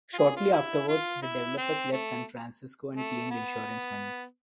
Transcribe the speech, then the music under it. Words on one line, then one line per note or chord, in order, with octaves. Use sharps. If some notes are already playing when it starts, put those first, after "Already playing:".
Shortly afterwards, the developers left San Francisco and claimed insurance money.
F4
G#4
F4
E4
F4
E4
C4
A3
A3
B3